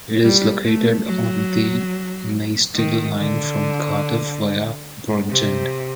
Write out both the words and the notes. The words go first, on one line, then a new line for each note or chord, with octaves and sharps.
It is located on the Maesteg Line from Cardiff via Bridgend.
G3
A3
F#3
D#3
D3
C3